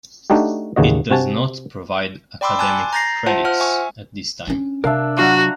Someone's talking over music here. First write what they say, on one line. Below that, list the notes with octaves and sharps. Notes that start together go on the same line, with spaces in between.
It does not provide academic credits at this time.
A3 D4 D#4 F#4 G4
A1 D#2 C#3 F#4 D#5
C3 F#4 G#5 A5
D5 G5 B5 C6 D6 E6
G#5 A5 C6 D6 F#6 A6
A#5 G6 A6 A#6 C7
F4 C5 E5 F#5 A5
F4 C5 F#5 F6
E5 G#5 C#6
C#4 D4
C3 D4 A#4 E5 F5 A5
F#3 D4 F4 F#4 F5 F#5 A#5